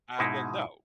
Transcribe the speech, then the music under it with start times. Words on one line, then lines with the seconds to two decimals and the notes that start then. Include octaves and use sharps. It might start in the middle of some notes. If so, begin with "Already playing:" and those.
Uh, well, no.
0.19 G#2 B2 G#3 D#4 E4